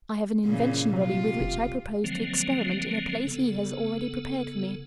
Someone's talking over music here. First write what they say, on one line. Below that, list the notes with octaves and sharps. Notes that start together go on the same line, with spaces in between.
I have an invention ready with which I propose to experiment in a place he has already prepared for me.
A#2 C#3 E3
C3 F#3 F4
E1
D3 F3 F#3 G#3 A#3 C4
C#3 B3 A4